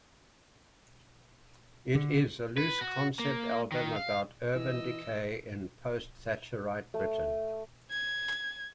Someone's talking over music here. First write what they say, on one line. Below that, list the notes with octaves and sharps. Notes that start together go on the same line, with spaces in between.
It is a loose concept album about urban decay in post-Thatcherite Britain.
D3
B4
F#4
A#3
D#3
F5
E3 E4 D#5 E6
A3
G#6